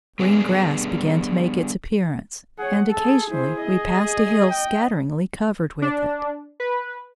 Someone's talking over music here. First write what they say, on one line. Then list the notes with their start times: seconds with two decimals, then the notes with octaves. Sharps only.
Green grass began to make its appearance, and occasionally we passed a hill scatteringly covered with it.
0.19 G3 B3 D4 G#4
2.59 G#4 C#5 F#5
2.89 G#4 A4
3.31 E4 C5
3.62 D#5
4.50 G5
5.82 D4
6.60 B4